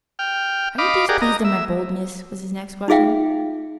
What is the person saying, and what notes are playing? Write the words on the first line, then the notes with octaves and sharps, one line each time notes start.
"Are you displeased at my boldness?" was his next question.
G5 F6
D#5 F5 B5 D6
G4 G#4 A#4 D5 F#5
D#5 A#5
E5
D#4 F4 G#4 E5 F5 G5